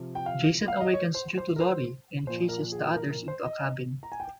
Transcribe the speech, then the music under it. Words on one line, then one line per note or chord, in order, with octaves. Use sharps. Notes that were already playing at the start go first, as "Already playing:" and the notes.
Jason awakens due to Lori and chases the others into a cabin.
Already playing: C3 F3
G5
F5
F5
D#5
C#5
C5
C5
A#4
C5
A#2 F3 C5
A#4
G#4
A#4
A#4
C5
D#5
A#5
G#5
G5